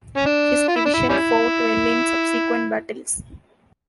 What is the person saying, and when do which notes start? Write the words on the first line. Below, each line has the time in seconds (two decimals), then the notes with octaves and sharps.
His division fought well in subsequent battles.
0.17 C#4
0.26 D4
0.68 F4
0.76 E4
0.85 D4
0.94 E4
1.09 G3 C#4 E4